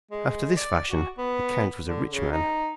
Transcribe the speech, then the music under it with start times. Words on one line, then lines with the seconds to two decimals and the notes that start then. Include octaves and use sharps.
After this fashion the count was a rich man.
0.11 G#3
0.57 D5
0.91 F#4
1.18 B3
1.87 D3
2.11 C#3
2.32 D#4